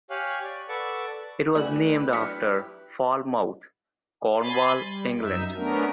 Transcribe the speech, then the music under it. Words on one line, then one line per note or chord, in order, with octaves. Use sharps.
It was named after Falmouth, Cornwall, England.
G4 C#5 F5 G#5 F#6
D5
A4 B4 D5 F#5 A5 C#6
A3 E4 F#4 G4 B4 D5 G#5 F#7
E3 F#3 D4 F6 B6 C#7
G#5 B5 C6 A6
G3
F#2 D#4 E5
A3 B3 C#4 D4 A#4